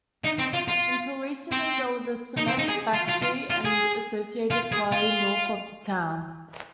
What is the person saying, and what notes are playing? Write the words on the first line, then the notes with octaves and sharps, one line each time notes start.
Until recently there was a cement factory and associated quarry north of the town.
D#4
C4
F4
F4
C4
D#4
C4
D#4
G#4
F4
F4
F4
F4
G#4
F4
G#4
F4